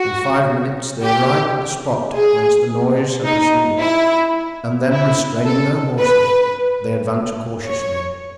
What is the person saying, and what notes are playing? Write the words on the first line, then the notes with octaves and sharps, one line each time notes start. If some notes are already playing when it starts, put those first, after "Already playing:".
In five minutes they arrived at the spot whence the noise had proceeded, and then restraining their horses, they advanced cautiously.
Already playing: F#4
G4
G#4
D#4
E4
E4
A4
B4
C#5